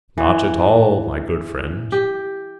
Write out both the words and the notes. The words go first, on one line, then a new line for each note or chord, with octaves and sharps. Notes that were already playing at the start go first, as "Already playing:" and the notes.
"Not at all, my good friend."
E3
G4